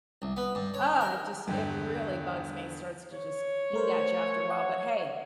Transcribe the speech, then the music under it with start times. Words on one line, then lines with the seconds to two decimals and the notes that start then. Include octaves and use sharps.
oh, it just it really bugs me. It starts to just eat at you after a while. But, hey,
0.22 C2
0.37 B3
0.55 G2
0.74 C#5
1.01 A#4
1.47 E2 G2 D3 G5
3.13 C#5
3.73 A3 A#4 C5
4.50 F#5